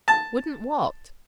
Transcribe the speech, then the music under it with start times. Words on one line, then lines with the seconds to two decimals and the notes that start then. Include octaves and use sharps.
"Wouldn't what?"
0.08 A5